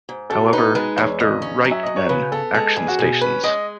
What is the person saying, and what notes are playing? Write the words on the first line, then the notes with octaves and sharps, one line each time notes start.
However, after Right men, action stations!
G#2
B2 A4
C#5
D#4 B4
G#3 B4
E2 C#5
C#3 D#5
C#4
F#3
E5
F#2 D#5
C#5
C#3 B4
B3 A4
G#3 A4
E2 G#4
F#4
B2 G#4
C#4 B4
G#3 D#5